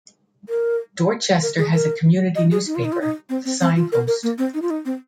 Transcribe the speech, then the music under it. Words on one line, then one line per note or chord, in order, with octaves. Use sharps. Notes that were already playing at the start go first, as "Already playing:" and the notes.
Dorchester has a community newspaper, "The Signpost".
A#4
A#4
G#4
A#4
D#5
G#4
D#4
F4
D#4
F4
D#4
C4
C4
C4
F4
A#4
A#4
A#3
C4
D#4
F4
D#4
C4